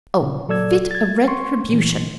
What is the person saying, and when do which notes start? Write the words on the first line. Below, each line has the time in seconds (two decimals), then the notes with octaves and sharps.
Oh, fit retribution!
0.21 A#2 C#3
0.48 A#2 F#3 A4 D5 E6 G#6
0.91 G#6 A6
1.28 C6 C#6
1.69 A#2 E3